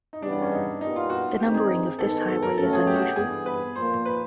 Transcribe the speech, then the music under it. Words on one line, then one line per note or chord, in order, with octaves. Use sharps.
The numbering of this highway is unusual.
D#4
C#3 E3 G3 B3 D4
D4
C#4
D#4
A#2 G3 B3 D#4
F4
F#4
G2 D#3 G#3 C4 D#4 G4
G#4
G#2 D#3 G#3 B3 D#4 A4
A4
A#4
B2 F#3 A3 C#4 A4
G#4
G4
F#4
G4
G2 E3 G3 B3 G#4
B4
A#2 F3 A#3 C5
B4